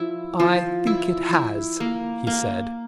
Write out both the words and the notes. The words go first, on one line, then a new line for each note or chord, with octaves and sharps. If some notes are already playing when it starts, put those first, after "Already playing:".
"I think it has," he said.
Already playing: F3 E4
F3
E4
E4
A#3
A#3